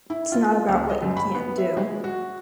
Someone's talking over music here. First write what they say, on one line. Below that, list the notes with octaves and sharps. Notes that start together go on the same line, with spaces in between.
It's not about what you can't do.
E4
F4
C#2
D#5
F#2
B5
B3
E5
G#3
F#4